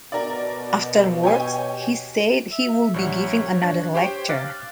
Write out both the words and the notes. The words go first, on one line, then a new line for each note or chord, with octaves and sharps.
Afterwards, he said he would be giving another lecture.
B2 A#4 D5
G4 C#5 G#5
E5
A#1 G3 C#5 F#5
D4
G4 C5 C#5 G5
F5 D6 F#6 A6